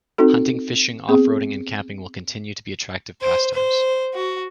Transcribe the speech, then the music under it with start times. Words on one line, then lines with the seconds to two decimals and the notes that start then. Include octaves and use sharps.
Hunting, fishing, off-roading, and camping will continue to be attractive pastimes.
0.18 C4 D#4 F#4 A4
1.08 B3 C4 G#4
3.21 C5
3.53 C5
4.14 F#4